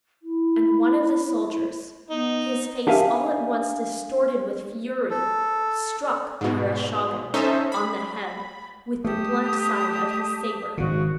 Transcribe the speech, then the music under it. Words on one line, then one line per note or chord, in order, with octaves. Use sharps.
And one of the soldiers, his face all at once distorted with fury, struck Vereshchagin on the head with the blunt side of his saber.
E4
B3 D#4
D4 G4 A#4 E5 F5 G#5
A4
G#2 B2
C#4 D#4 A4 C5 E5
B5
A3 G4 A5 D#6
G#1 C#3 F#4